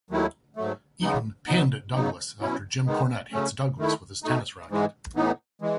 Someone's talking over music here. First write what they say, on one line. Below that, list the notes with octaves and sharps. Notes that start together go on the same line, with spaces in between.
Eaton pinned Douglas after Jim Cornette hits Douglas with his tennis racket.
D#2 D#3 F#3 A3 E4
G#2 F#3 A3
C#3 E3 G#3 B3 D#4
B2 F#3 B3 D#4
C#3 F#3 B3 D#4
B2 F#3 C#4 E4
D#3 G#3 B3 D#4
C#3 F#3 A3 C#4
D#3 A3 E4
B2 A3 D#4
G#2 E3 G#3
A2 E3 B3 D#4
E3 G#3